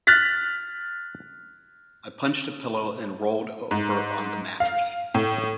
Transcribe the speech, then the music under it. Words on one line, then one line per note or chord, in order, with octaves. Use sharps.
I punched a pillow and rolled over on the mattress.
F6 F#6 A6 B6
G#2
F5
A2